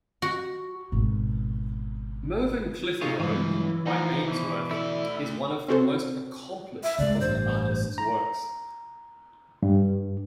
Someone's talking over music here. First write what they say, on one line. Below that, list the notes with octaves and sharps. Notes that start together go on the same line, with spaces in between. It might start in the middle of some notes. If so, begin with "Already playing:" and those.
"Mervyn Clitheroe" by Ainsworth is one of the most accomplished of the artist's works.
F#4
G#1 B2
C3 D#4 F4 G#4 C#5
C#2 G2 E3 F#3 F5
F3 D#4 F#4 C5
B2 E3
A3 E4 D5
C4 C#4 F#4 A4 C5
E5
C#2 C#3 G#3 D5
A1 G2 C5
A#5
G2